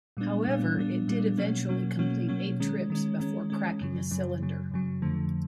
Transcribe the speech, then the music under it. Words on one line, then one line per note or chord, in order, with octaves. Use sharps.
However, it did eventually complete eight trips before cracking a cylinder.
A#2 G3 B3 D4
A#2 G3 B3 D4
A#2 G3 B3 D4
A#2 G3 B3 D4
B2 F#3 A#3 C#4
B2 F#3 A#3 C#4
B2 F#3 A#3 C#4
B2 F#3 A#3 C#4
D#3 G#3 C#4
D#3 G#3 C#4
D#3 G#3 C#4
D#3 G#3 C#4
F#2 C#3 F#3
F#2 C#3 F#3
F#2 C#3 F#3
F#2 C#3 F#3
F2 D3 F3 A3